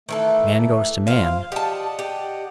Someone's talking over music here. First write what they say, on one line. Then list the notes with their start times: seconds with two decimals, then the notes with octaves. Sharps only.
Man goes to Man!
0.09 D#3 E3 A3 A4
1.07 F3 C5 F5
1.52 G4 D5 D#5 F#5 A5
1.99 G4